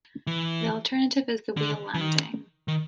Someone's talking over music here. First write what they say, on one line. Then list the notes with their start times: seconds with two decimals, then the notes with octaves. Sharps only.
The alternative is the "wheel landing".
0.27 E3
1.57 D3
1.94 E3
2.01 D#3
2.68 D#3